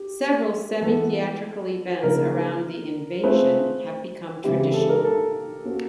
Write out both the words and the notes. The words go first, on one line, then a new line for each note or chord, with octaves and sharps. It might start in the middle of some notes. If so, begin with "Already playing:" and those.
Several semi-theatrical events around the "invasion" have become traditional.
Already playing: G4
E3 G#3 B3 A4
C#3 F3 A#3 D#4 A#4
A3 C4 F4 G#4 B4 C5
C#3 E3 G#3 C4 E4 G4
G4
A4
A#4
A4
A#3 C#4 F#4 A#4